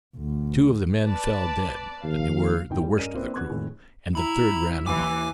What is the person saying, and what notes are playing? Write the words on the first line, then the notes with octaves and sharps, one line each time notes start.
Two of the men fell dead, and they were the worst of the crew, and the third ran off.
D2
B4 D5 A5
D#2 F5
G1 F2 E3 D#4 G5
G3 G#3
G2 C#4 A#4 D5 D#5 D#7
A#3 C4 D4 E4 B4
E2 F#6 G#6
F2 A2 D#3 G#3
E4 A#5 B5
D#2 E3 G#5 D6